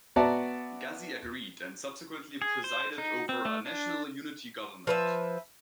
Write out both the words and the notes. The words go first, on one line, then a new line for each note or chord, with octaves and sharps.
Ghazzi agreed and subsequently presided over a national unity government.
B3 F#4 D5 E5 A5 A#5
G#4
C5
D#4
C4
A3
D4
F3 B4 E5